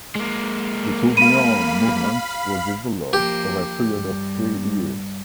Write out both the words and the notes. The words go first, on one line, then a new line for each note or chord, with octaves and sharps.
The Tourbillon movement was developed over a period of three years.
G#3 A#3
F5 B5 D#7
F3 A#3 G4
G2